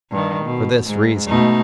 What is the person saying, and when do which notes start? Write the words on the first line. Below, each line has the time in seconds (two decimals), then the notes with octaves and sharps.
For this reason.
0.11 G2 D#3
0.45 B2
0.87 G#2
1.27 B2 A3 D#4